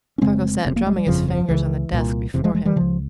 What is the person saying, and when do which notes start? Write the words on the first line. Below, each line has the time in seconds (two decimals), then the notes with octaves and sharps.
Spargo sat drumming his fingers on the desk before him.
0.18 C#4
0.22 F1 F2 C#3 G#3 C4
0.65 F1 F2 C3
0.76 A#3
0.87 G#3
0.96 G3
1.06 G1 F2 C#3 F3
1.28 F3
1.49 C#2 C#3 E3
1.92 C2 A#2
2.34 F1 E2 C3
2.44 F3 G#3
2.55 F3 G#3
2.65 E3 G3
2.76 C#2 C#3 F3